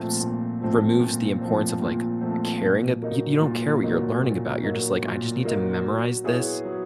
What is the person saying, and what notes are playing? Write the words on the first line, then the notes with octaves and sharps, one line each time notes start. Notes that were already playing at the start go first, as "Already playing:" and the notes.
s removes the importance of, like, caring at y you don't care what you're learning about, you're just like, "I just need to memorize this
Already playing: A#2 F3 A3 C4
A#2
F3 A3 C4
A#2
F3 A3 C4
A#2
F3 A3 C4
A#2
F#3 A#3 D#4
A#2
F#3 A#3 D#4
A#2
F#3 A#3 D#4
A#2
F#3 A#3 D#4
F#3
B3 E4 G#4 C#5
F#3